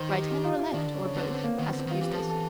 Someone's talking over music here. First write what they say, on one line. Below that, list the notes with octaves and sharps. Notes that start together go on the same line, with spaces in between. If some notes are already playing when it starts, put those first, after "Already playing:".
"Right hand or left, or both?" asked Eustace.
Already playing: D#3 C5
G4
G4
F4
E4
D#3 D4
D3
C#4
C#3
C#4
D3 B3
C4
A#3
D#3 B3
C4
D3
C4
D#3 F4
E3 G4
F3 A4
E3
A4